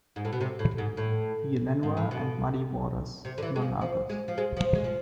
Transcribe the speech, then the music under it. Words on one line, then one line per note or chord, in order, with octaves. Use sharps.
B. Lenoir, and Muddy Waters, among others.
G#2
A2
B2
C3
A2
G#2
A2
G#2
A2
B2
C3
D3
E3
G#3
F3
F3
G#3
F3
G#3
F3
G#3
F3